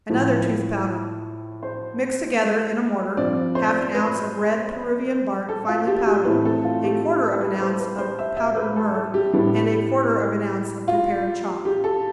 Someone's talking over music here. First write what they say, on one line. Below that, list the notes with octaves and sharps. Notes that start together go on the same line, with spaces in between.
Another Tooth Powder.--Mix together, in a mortar, half an ounce of red Peruvian bark, finely powdered, a quarter of an ounce of powdered myrrh, and a quarter of an ounce of prepared chalk.
A2 F3 A3
C5
G2 F3 C4 D5
C5
B4
A4
F4
G4
G4
A2 E3 A3 C4 B4
A4
F4
G4
G4
A4
B4
C5
B4
C5
E5
E5
B4
A4
A4
G4
A2 G3 B3 D4
F4
G4
A4